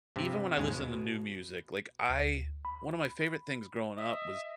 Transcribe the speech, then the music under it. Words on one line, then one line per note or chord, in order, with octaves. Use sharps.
even when I listen to new music, like I one of my favorite things growing up was
G2 C3
D#2 G#2 G#3
B2
D2
B5
D#5 E5